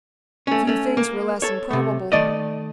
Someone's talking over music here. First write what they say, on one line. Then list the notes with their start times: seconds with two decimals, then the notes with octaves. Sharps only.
Few things were less improbable.
0.47 A3 C#4
0.67 A3 C#4
0.97 A#3
1.42 A4 C#5
1.71 C3 A3
2.12 D#3 A3 D5 D#5